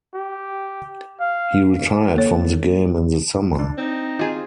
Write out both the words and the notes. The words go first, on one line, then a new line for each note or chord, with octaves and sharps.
He retired from the game in the summer.
G4
F5
A#3 A4 C#5
D4
C4 D#4
D#4 F4 G#4